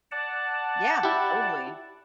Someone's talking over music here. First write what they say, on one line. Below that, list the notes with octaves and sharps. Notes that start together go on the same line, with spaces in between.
Yeah, totally.
D5 F#5 A5
E4 G4